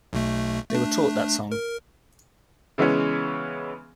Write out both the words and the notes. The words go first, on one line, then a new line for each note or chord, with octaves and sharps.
They were taught that song.
B1 B2 A3
A3 D4
A#4
C#3 E3 G#3 B3 C#4